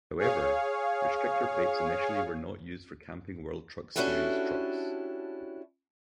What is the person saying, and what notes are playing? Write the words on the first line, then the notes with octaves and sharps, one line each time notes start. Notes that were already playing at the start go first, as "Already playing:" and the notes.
However, restrictor plates initially were not used for Camping World Truck Series trucks.
G#4 C#5 F5
C#4 D4 E4 F#4 G4 A4